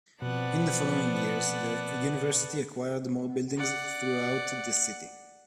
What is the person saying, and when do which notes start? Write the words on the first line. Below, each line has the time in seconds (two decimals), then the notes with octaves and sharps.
In the following years, the university acquired more buildings throughout the city.
0.22 B2 F3 B3 C4 D5 F#5 A5
3.56 D5 F#5